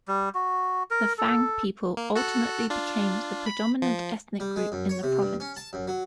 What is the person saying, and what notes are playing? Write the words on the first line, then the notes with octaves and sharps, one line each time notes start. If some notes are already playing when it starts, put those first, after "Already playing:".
The Fang people ultimately became the predominant ethnic group in the province.
G3
F#4
A#4
A4
A#3
F#4 A4 F#6
D4 F4
B5
F3
G3
G#3
F#2
C#5
C3
G2
C#4
A5
F#2
F#3